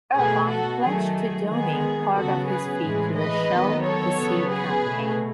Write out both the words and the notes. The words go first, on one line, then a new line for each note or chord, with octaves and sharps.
Irvine pledged to donate part of his fee to the Shell to Sea campaign.
B2 A3 G#4 B4
F#4 A4
D#3 F#3 A3 G#4
G#4
D#3 G#3 B3 G#4
C#3 F#3 B3 F#4 A4
G#4 B4
A2 E3 G#3
B4 D#5
D#3 F#3 B3
A4 C#5
C#3 F#3 B3
G#4 B4
B2 A3